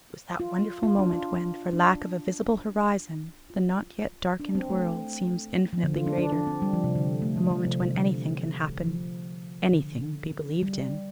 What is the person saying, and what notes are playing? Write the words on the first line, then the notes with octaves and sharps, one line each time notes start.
It was that wonderful moment when, for lack of a visible horizon, the not yet darkened world seems infinitely greater--a moment when anything can happen, anything be believed in.
F4
F4
D4
F4
D4
F4
D4
C4
A3
F3
D3
F4
D4
D4
D4
C4
G3
F3
C3
D3
A3
G3
F3
C3
C3
D3
F3
D3
G3